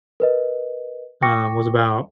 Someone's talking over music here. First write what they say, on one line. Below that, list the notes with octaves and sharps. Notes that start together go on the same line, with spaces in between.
um, was about,
A#4 B4 D#5
G5 C#6 D6 A#6 C#7